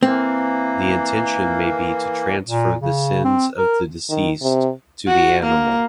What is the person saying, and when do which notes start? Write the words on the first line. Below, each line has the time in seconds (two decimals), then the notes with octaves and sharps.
The intention may be to transfer the sins of the deceased to the animal.
0.03 E3 A#3 C4
2.46 A#2
2.81 C#3
3.24 C4
3.58 A#4
4.10 D#3
4.42 C3
5.08 F#4
5.44 A#3